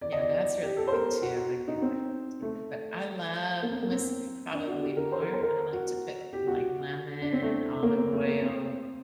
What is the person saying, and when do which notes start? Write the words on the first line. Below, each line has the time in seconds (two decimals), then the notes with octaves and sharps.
Yeah, that's really good, too, I do like that, too, but I love hummus, probably more. I like to put, like, lemon, olive oil,
0.01 D5
0.12 D#5
0.21 D5
0.63 G4
0.77 A4
0.87 C5
0.92 A#4
1.22 F#4
1.37 F#4
1.68 D#4
1.82 C4
2.42 A3
3.62 A#3
3.72 C4
3.82 A#3
3.92 C4
4.53 D4
4.67 F#4
4.82 G4
4.97 A#4
5.12 C5
5.22 A#4
5.33 C5
5.43 A#4
5.73 F#4
6.33 G4
6.47 F#4
7.22 D4
7.33 C4
7.43 A3
7.83 A#3
7.97 C4
8.12 A3
8.27 A#3
8.42 C4